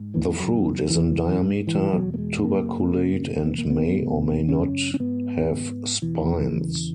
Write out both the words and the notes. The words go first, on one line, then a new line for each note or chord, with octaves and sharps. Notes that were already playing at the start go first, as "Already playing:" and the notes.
The fruit is in diameter, tuberculate, and may or may not have spines.
Already playing: G#2
E3
E3
F#2 C#3 F#3
E2 B2 E3
G#2
E3
E2 B2 F#3
A#3
G#3
F#2 C#3 A#3
F#2 C#3
E2 B2 B3
A#3
B3
E2 B2
F#2 C#3 C#4
C#4
G#2 B3
G#2
E2 B2 E3
E2 C#3